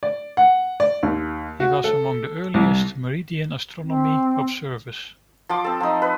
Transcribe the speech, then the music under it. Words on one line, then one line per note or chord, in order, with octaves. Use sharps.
He was among the earliest meridian-astronomy observers.
D5
F#5
D5
D#2
F#4
A4
C2
C4
F3 C6 D6
C4 A4
F3 D#4
B4